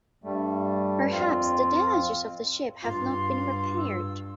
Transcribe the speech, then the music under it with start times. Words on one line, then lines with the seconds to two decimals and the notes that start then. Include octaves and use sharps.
Perhaps the damages of the ship have not been repaired.
0.24 G2 G3 A3
1.12 F2 C4 F4
2.83 G2 F4 C6
3.77 E6